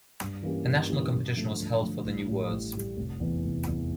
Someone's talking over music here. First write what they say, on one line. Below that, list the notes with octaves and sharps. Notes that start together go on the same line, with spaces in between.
A national competition was held for the new words.
G2
E3 A#3 C#4 G4
G2
E3 A#3 C#4 G4
G2
D3 F3 A3
G2
D3 F3 A3
A1
A2 G3
A1
A2 G3
F1
E2 E3
F1
E2 E3